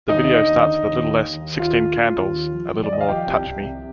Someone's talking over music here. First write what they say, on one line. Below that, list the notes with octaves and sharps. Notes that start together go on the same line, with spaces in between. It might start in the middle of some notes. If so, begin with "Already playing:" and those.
The video starts with "A Little Less "Sixteen Candles", a Little More "Touch Me"".
D#2 D#4 D#5
D3
D#2
D3
D#2
D#2
D#2
D#2
D#2 F4 F5
D#2
D3
D#2
D#2
F3
F3
D5
D#2 D#5
F5
F3 G4 G5
C2
C2
C3